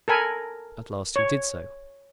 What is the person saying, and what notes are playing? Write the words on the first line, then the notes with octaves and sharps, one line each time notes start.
At last he did so.
A4 A#4 G#5 B5
C#5